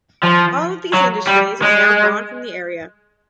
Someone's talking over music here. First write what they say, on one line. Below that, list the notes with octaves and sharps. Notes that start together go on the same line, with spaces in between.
All of these industries are now gone from the area.
F3
F#3
G3
G#3